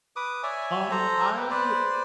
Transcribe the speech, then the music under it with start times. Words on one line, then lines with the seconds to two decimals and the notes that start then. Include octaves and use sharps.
Um, I
0.16 B4 D6 D#6
0.43 C#5 D5 E5 G#5
0.91 A4 C5 A#5
1.36 B4 G5
1.50 B4 C5 D5